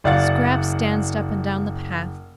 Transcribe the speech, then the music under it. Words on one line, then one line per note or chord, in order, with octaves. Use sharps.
Scraps danced up and down the path.
F#1 D5 F5 F#5 A6